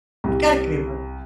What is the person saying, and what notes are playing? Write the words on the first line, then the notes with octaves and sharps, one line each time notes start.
You gotta give me one.
C2